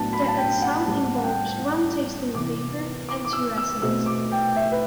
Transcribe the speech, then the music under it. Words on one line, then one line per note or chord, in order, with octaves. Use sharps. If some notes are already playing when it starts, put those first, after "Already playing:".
The exam involves one tasting paper and two essays.
Already playing: A2 F#3 B3 D4 A5
B5
A5
G5
F#5
A2 G3 C4 A5
F#5
G5
C3 E3 B3 D6
D6
D6
E6
E6
B2 A3 C4 E6
D6
G5
E5
B4